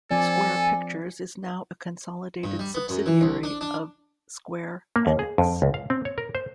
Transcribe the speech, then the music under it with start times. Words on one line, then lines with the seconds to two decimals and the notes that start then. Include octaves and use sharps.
Square Pictures is now a consolidated subsidiary of "Square Enix".
0.11 F3 C4 A4 D5 G#5
2.44 G2
2.59 G3
2.75 B3
2.89 F#2
3.06 E3
3.21 C2
3.43 D4
3.61 D4
4.96 A#3
5.07 D#2
5.19 G#4
5.38 F2
5.62 C#2
5.74 F5
5.90 C4
6.05 C#5
6.18 A#4
6.35 C5